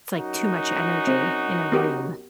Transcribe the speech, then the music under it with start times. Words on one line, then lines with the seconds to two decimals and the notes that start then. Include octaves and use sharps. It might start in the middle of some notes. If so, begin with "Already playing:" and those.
it's, like, too much energy in a room.
0.16 F#2 D#4 F#4
1.07 C4
1.72 B3 G4 A#4